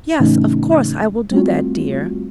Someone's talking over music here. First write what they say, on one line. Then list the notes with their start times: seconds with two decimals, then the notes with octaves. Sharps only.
'Yes, of course; I will do that, dear.
0.20 A2 C#3 E3 A3 C#4 D#4
1.31 G3 A3 C4 F4 F#4